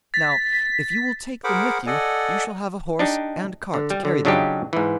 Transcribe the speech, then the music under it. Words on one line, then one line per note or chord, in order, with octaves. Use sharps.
Now, if you will take them with you, you shall have a horse and cart to carry them.
A6 B6
G#4 A#4 C5 F#5 B5 D6
A4 D5 D#5 F#5 G#5
D4 D#4 G4
D3
G3
D3
C#3 F#3 D4 D#4 F4 G4
G#2 E3